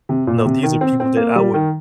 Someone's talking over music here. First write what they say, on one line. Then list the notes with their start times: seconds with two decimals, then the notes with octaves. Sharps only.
no, these are people that I would
0.09 C3
0.27 A#2
0.45 C3
0.63 D#3
0.81 C4
1.00 C4
1.17 A#3
1.36 G3
1.54 D#3